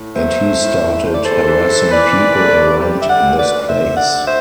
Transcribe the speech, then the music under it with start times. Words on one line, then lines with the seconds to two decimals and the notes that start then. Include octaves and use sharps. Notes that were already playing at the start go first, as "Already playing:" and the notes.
And he started harassing people around this place.
Already playing: A2
0.14 F#3 C5 E5
0.36 A3
0.58 A2
0.81 A2
1.03 A3 C5
1.14 D5
1.24 E2 A4 C5
1.47 E3
1.69 E3
1.90 E3 B4 D5
2.13 C3
2.35 A3
2.56 C3
2.79 G3
3.01 D3 E5
3.08 D5 F#5
3.22 D2
3.37 B4 D5
3.45 D2
3.60 D5
3.67 D3 C5 E5
3.89 D3
3.96 D5 F#5
4.11 D2
4.25 C5 E5